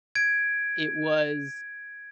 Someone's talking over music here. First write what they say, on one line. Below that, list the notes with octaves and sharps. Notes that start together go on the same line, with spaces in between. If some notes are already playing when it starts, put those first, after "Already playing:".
It was
G#6 D7